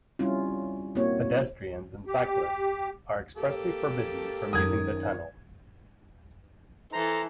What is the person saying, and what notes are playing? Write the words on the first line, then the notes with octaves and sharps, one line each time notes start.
Pedestrians and cyclists are expressly forbidden from using the tunnel.
G3 C4 C#4 E4 F4
A#3 C4 E4 F#4 C#5
G4
A#3 G4 A4
F#2 D#3 D#6 G#6
E3 A4 C5 A#5